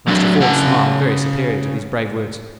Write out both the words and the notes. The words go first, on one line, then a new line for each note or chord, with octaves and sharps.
Master Ford smiled very superior to these brave words.
F#3 D4
C#3 F#5